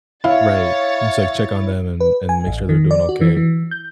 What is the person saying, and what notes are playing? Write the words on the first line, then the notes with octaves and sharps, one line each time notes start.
Right. You can just like check on them and and make sure they're doing okay
E4 C#5 F5 A6
B4
G#5
A1
D#3
D5
F#4
E3
E3
G6